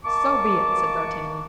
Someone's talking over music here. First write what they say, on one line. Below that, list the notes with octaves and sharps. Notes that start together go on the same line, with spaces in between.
"So be it," said d'Artagnan.
A#3 D#5 A5 C#6 D6